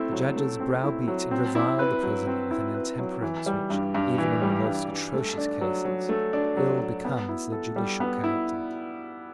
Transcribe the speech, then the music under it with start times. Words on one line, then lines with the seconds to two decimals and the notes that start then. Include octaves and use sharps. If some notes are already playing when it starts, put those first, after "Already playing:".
The Judges browbeat and reviled the prisoner with an intemperance which, even in the most atrocious cases, ill becomes the judicial character.
Already playing: A3 C4 E4
0.12 F#3
0.36 A3
0.60 C4
0.84 E4
1.08 F#3
1.31 C4
1.55 E4
1.79 B4
2.03 F#3
2.27 C4
2.51 E4
2.74 B4
2.99 F#3
3.22 E3
3.46 G3
3.70 G2
3.95 G2
4.18 E3
4.42 G3
4.66 G2
4.90 G2
5.14 A3
5.37 D4
5.61 F#3
5.85 F#3
6.09 A3
6.33 D4
6.57 F#3
6.80 F#3
7.05 B3
7.29 E4
7.52 A4
7.76 G3
8.00 B3
8.24 E4